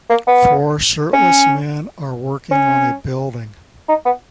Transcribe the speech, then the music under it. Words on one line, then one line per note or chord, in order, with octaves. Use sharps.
Four shirtless men are working on a building.
A#3
B3
C#4
C#4
D#4
B3